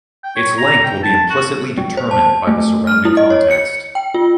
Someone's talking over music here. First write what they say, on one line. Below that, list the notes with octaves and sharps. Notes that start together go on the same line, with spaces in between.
Its length will be implicitly determined by the surrounding context.
G5
C#5
A#5
G5
A5
F#4
G#3
C5
A5
A3
F6
E4
D#5
C#5
C#7
G5
F4